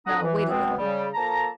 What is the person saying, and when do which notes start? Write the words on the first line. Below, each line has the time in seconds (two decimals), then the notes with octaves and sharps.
No, wait a little.
0.07 F2 D3 D4 F#5 A#5 D#6
0.22 E3
0.49 B2 G#3 B3 C4
0.78 C#3 G3
1.14 F3 A#3 A4 A5 A#5